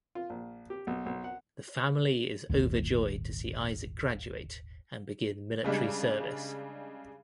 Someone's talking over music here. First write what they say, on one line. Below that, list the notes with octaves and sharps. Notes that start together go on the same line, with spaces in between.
The family is overjoyed to see Isaac graduate and begin military service.
F4
A#1
G4
B1
B1
F#5
D#1 G#1 D#2
C#3 G3 G#3 D4